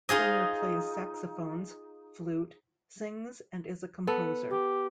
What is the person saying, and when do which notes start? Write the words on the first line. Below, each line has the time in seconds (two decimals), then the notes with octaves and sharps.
Turner plays saxophones, flute, sings and is a composer.
0.09 D#4 F4 G#4 D#5
4.07 B3 A4
4.50 G4